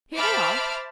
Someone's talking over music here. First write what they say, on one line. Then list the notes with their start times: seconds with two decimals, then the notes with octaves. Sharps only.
"Here they are."
0.16 C5 E5 A5 B5 D6 F6